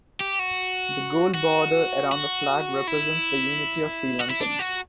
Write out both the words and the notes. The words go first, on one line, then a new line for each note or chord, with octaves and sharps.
The Gold border around the flag represents the unity of Sri Lankans.
G4
F#4
F#4
F#4
E4
F#4
E4
D4
F#4